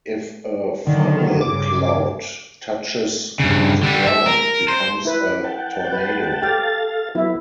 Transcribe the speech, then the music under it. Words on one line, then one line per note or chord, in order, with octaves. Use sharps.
If a funnel cloud touches the ground it becomes a tornado.
D3 D#3 F#3
G2 C#3 D6
G2 C#3
D3 G3
E5
A#4
C5
E4 B4
F#5 G5 A5
B4
G4 A4 F5 G5 A6
F#3 B3 E4 E5